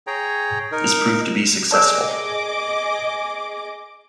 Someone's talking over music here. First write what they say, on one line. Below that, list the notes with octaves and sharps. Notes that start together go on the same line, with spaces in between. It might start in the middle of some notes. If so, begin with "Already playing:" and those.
This proved to be successful.
G#4 C#5 G5 A#5
D#4 A#4
G#4 A#4 D5 D#5 A5 D6